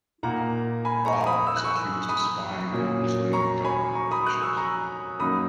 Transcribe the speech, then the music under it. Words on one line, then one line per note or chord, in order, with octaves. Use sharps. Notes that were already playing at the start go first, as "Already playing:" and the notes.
Kroll was accused of spying on Brazilian government officials.
A#2 A#3 D#4 F#5 A#5
G#5 B5
A#5 C#6
B5 D#6
E6
F#6
C#6 E6
B5 D#6
A#2 F#3 A#3 C#4
A#5 C#6
G#5 B5
A#5 C#6
B5 D#6
D#6 F#6
C#6 E6
A#5 C#6
F#2 D#3 F#3 A#3 D#4 B5 D#6